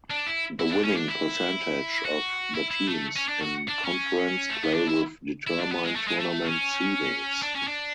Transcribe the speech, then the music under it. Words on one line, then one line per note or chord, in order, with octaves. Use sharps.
The winning percentage of the teams in conference play will determine tournament seedings.
D4
E4
E4
D4
C#4
D4
E4
F#4
E4
E4
A3
C#4
D4
F#4
D4
C#4
A3
B3
D4
E4
E4
D4
B3
G#3
A3
G#3
A3
C#4
D4
C#4
D4